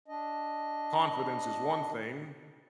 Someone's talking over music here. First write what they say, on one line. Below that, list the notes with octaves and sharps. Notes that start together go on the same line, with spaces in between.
confidence is one thing,
D4 D#5